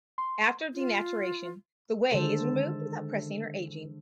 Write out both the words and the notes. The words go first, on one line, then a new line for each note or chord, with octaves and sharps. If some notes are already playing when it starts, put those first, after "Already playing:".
After denaturation, the whey is removed without pressing or aging.
C6
F4
D3 D#3 G#3 A4 C5